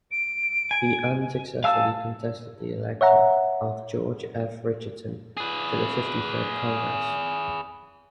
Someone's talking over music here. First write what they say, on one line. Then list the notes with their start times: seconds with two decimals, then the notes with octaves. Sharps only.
He unsuccessfully contested the election of George F. Richardson to the Fifty-third Congress.
0.12 D7
0.71 G#5
1.64 F5 G#5 A5 E6
3.01 C#5 E5 F#5 A#5
5.37 G#4 B4